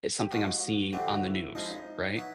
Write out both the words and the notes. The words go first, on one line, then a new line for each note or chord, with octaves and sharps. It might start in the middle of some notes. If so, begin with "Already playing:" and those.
it's something I'm seeing on the news, right?
G4
G#2 F3 G#3 C#4 F#4
F2 D3 F#3 A3 C4 G4
F#4
E4
F3 G#3 C4 D#4 E4 G#4
D#4
F#3 B3 E4